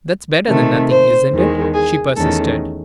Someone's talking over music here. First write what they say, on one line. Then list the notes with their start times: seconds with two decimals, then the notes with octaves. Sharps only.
"That's better than nothing, isn't it?" she persisted.
0.47 C3 D#3 A3
0.90 C5
1.32 E2 D#3 G#3
1.74 G#4
2.17 E2 D#3 A3 C#4 A4